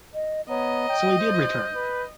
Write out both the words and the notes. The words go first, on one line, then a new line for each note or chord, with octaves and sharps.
So he did return!
D#5
B3 C#5 D#5 A#5
G5
C5 G6
B4